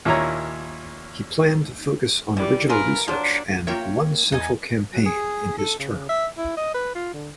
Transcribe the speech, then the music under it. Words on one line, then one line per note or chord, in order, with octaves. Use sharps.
He planned to focus on original research and "one central campaign" in his term.
D#2 A#2 E4 C#5 A#5
E3 G3
F4 G#4 A#4 B4
F3 F#3 D4
A#3 F4 A#4 C#5 E5 G5
E2 D#4 D#5 G#5
F#3
G#4
A4
C#3
E5
E4
D#5
B4
F4
D3